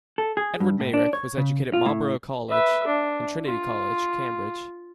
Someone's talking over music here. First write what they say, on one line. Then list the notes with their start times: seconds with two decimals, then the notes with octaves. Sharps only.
Edward Meyrick was educated at Marlborough College and Trinity College, Cambridge.
0.18 A4
0.37 G#4
0.60 G2
0.80 A2
0.94 D4
1.13 C#5
1.38 C#3
1.73 F4
1.86 A2
2.49 B4 E5
2.87 D4
3.46 F4